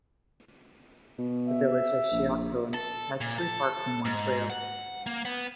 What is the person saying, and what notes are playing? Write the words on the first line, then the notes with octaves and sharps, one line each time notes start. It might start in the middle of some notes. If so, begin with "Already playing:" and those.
The village of Shiocton has three parks and one trail.
B2
E5
A#1
A4
A#2
A4
G#2
F#5
A#3
B3